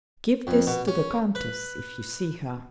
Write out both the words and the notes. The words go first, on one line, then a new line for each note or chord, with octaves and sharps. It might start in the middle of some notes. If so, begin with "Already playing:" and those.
"Give this to the countess... if you see her."
F2
B2
C#4
B4